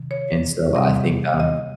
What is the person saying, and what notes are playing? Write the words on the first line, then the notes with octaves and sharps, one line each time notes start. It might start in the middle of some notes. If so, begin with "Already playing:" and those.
and so I think, um
Already playing: C3 D#3
C#5
C3 G3 C4
D#5